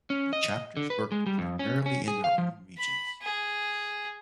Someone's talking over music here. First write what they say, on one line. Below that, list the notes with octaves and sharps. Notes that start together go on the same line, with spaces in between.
The chapters worked primarily in their own regions.
C#4
D#5
D3
B4
G#3
G3
F2
C#4
C#4
G#4
F5
F3
B5
G#4